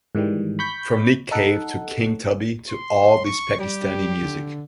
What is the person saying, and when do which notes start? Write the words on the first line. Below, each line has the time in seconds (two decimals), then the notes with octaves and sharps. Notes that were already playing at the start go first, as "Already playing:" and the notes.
From Nick Cave to King Tubby to all this Pakistani music.
0.15 G#2 D#3 E3 G3
0.59 B5 C#6 G6 B6
1.31 D#4 A4 F#5
2.69 C6
3.25 C#6
3.60 G3 G4
4.21 D3